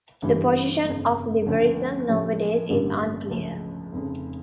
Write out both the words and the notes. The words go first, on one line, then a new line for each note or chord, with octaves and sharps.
The position of liberalism nowadays is unclear.
G1 G2 E3 G3
G1 F2 C#3
D2 D3 F3 A3 C#4
A2 F3 C#4 G4
A1 G2 D3 G3 A#3
C#2 C#3 F3 A3
F1 F2 C#3